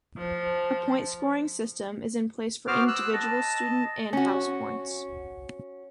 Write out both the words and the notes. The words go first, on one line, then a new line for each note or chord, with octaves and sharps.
A point scoring system is in place for individual student and House points.
F3
B3 F#4 C5 D6 F6
E6 F#6
D#5 A5
C#4 F#4